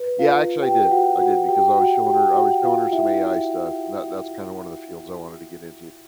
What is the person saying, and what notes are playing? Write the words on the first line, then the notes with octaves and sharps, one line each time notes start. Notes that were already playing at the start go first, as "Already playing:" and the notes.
Yeah, actually I did, I did, because I was showing her I was showing her some AI stuff, and that that's kinda one of the fields I wanted to get into.
Already playing: B4
F4 F5
G4 G5
F#4 F#5
F#4 F#5
G4 G5
F#4 F#5
G4 G5
F#4 F#5
F4 F5
E4 E5